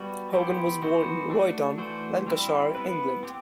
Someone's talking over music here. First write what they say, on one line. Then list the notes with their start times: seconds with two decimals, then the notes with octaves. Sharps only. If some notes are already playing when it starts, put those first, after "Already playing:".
Hogan was born in Royton, Lancashire, England.
Already playing: G3 B3 F#4
0.33 B3 E4 G4 C5
0.82 E3 B3 F#4 C5
1.30 A3 D4 F#4
1.78 E3 A3 D4 F#4 C5
2.27 G3 C4 E4
2.75 B3 E4 B4
3.23 C4 G4